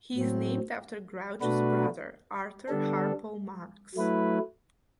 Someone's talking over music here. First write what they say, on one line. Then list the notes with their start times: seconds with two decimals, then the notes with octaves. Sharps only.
He is named after Groucho's brother Arthur "Harpo" Marx.
0.14 A2 F#3 C4
1.41 B2 A3 D4 F#4 B4
2.68 D3 G3 B3 D4 A4
3.95 F#3 A3 E4 B4